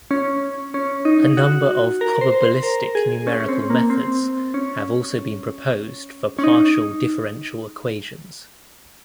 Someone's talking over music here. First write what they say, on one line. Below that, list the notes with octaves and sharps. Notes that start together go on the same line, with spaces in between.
A number of probabilistic numerical methods have also been proposed for partial differential equations.
C#4
C#4
D#4
F#4
A#4
C5
C5
A#4
G#4
C#4
C#4
C4
A#3
C4
C#4
C#4
D#4